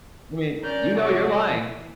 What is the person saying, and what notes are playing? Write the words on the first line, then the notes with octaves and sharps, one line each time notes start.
I mean, you know, you're lying.
C#4 A#4 D5 F6 G6
C3 F#4 C#5 F#5 D6
E3